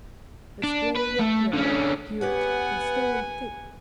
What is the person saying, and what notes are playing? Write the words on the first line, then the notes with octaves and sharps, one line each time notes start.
It's blowing up now ... hear it ... and snowing thick.
D4
B4
A3
D3 C#4
B3 G4 B4 C#5 F#5 G#5